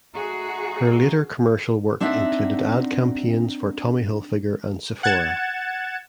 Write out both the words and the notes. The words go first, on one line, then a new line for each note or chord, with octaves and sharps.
Her later commercial work included ad campaigns for Tommy Hilfiger and Sephora.
A3 D#4 F#4 G#4
C4 D4 D#4 E5 F#5
F#5 F#6 G#6 A6 C#7 E7